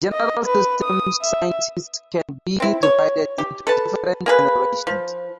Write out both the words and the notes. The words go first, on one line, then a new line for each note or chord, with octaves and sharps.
General systems scientists can be divided into different generations.
D#5
B4
D#6
E5
C4 E4
C#5
G4
A4 B4 A5
A#3 G#4 B4
F3